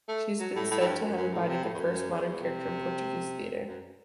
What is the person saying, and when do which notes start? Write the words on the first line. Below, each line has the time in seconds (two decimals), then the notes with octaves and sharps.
She has been said to have embodied the first modern character in Portuguese theatre.
0.08 A3
0.39 F#3
0.55 A2
0.70 A2
0.80 A2
0.86 G2
1.02 F#2
1.17 F#2
1.33 A2
1.48 C3
1.64 A2
1.74 E2
1.80 F#2
2.11 E2
2.42 C3
3.67 F#2